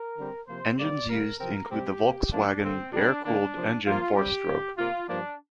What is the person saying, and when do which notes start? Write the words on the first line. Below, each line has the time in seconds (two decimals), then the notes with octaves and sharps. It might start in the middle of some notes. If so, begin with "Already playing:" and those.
Engines used include the Volkswagen air-cooled engine four-stroke.
Already playing: A#4
0.17 D3 G3 C4
0.48 C3 F3 A#3 C5
0.78 C3 G3 A#3 D5
1.10 D3 G3 A#3 A#4
1.40 C3 F3 C4 A#4
1.71 C3 G3 C4 G4
2.02 C3 A#3
2.32 G2 F3 A#3 D4
2.63 G2 D3 A#3 C4
2.93 C3 G3 C4 D4
3.24 D3 A#3 D4
3.56 C3 F3 A#3
3.86 G2 F3 A#3 F4
4.16 G2 G3 C4 G4
4.48 D3 A#3
4.77 C3 A#3 F4
5.09 G2 F3 A#3 D4